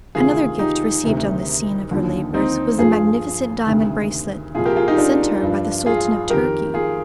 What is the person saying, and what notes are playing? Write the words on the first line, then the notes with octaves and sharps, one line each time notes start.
Another gift received on the scene of her labors was a magnificent diamond bracelet sent her by the Sultan of Turkey.
D2 C3 D#3 F4 G#4
D#4 G4
D2 C3 D#3
D#2 D3 F3
C4 D#4
G2 F3 F4 G#4
D2 C3 D#3
C2 A#2 F3 F4 G#4
G4 A#4
F4 G#4
D#4 G4
D4 F4
G2 F3
F4 G#4
F2 D#3 G4 A#4
F4 G#4